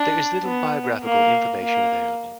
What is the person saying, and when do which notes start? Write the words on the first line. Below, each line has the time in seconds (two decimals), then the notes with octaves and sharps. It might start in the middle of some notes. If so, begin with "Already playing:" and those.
There is little biographical information available.
Already playing: D4
0.44 B3
1.03 A#3
1.62 A#3